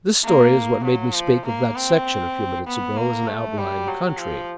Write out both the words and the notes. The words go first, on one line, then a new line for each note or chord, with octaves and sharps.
This story is what made me speak of that section a few minutes ago as an outlying country.
A#3
F#3
F3
A#3
C4
B3
A#3
A3
G3
F#3
F3